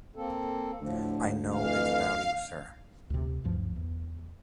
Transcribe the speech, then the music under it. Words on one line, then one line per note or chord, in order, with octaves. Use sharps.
I know its value, sir.
A#3 C4 A4
D2 A2 D3 F3
F2 E3 F5
D2 C3
D2 G2 F3
E2